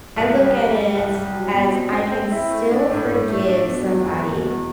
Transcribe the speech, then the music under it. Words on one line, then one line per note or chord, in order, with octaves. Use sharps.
I look at is as I can still forgive somebody
C2
G3
G3
G3
C2
G3
F#3
B2
C4
C4
C4
E4
A3
D4
A2
A2
A3
D4
B2
E2
E2
B2
E2